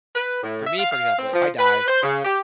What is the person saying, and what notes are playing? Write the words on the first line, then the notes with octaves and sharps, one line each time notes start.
for me, for example, if I die
B4
A2
E5
F5
F5
C4
F3
B4
C5
C#3
G4